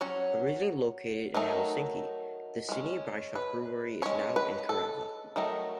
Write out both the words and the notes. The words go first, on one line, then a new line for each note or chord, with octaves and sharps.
Originally located in Helsinki, the Sinebrychoff brewery is now in Kerava.
F#3 C#4 C#5
D#3 F#3 A3 D#4
G#3 C#4
B4
G#3 C#4 C#5
B4
A4
D#3 F#3 A3 D#4